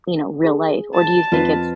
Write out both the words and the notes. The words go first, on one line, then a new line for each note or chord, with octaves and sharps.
you know, real life, or do you think it's
G#4
A5
F2 F4 B4